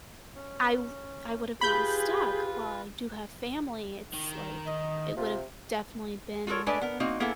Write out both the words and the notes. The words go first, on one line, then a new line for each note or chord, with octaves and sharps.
I w I would have gotten stuck while I do have family, it's, like it would have definitely been
C#4
F4 G4 G#4 B4 B5 G6
D#3
D#5
C3 F4
F4 F#4 A4 A#4 C#5
G#3 A3 D4 B4 D5
B3 A#4
A#3 C4 D#4 F#4
A#3 B3 E4 G#4 A4